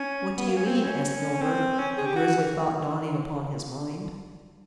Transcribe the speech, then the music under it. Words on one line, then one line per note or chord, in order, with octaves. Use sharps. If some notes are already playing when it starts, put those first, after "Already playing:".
"What do you mean?" asked Milburgh, a grisly thought dawning upon his mind.
Already playing: C#4
B3
A#3
C#4
C4
C4
C#4
C4
C#4
G#4
G4
F#4